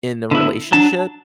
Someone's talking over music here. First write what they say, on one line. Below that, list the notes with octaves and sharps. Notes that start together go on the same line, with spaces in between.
in the relationship,
D3 B3 E4
F#3 D4 A5